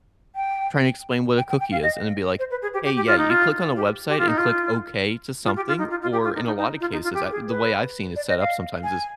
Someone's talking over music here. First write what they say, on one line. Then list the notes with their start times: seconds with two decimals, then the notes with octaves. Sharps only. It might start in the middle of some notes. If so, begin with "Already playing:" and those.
trying to explain what a cookie is and then be like, "Hey, yeah, you click on a website and click 'okay' to something," or, in a lot of cases, uh, the way I've seen it set up sometimes is,
0.35 G5
1.37 G5
1.49 G5
1.60 G5
1.72 F5
1.82 D#5
2.39 C5
2.50 B4
2.62 G#4
2.73 G4
2.84 G4
2.96 G4
3.07 F4
3.18 D#4
3.30 F4
3.76 G4
4.08 G4
4.18 F4
4.27 D#4
4.38 F4
5.45 F4
5.56 G4
5.67 F4
5.78 D#4
5.90 F4
6.02 F4
6.12 G4
6.23 F4
6.35 D#4
6.46 D#4
6.57 D#4
6.80 F4
6.92 D#4
7.03 F4
7.14 G4
7.31 G#4
7.48 B4
8.16 D5
8.28 D#5
8.39 F5
8.84 G#5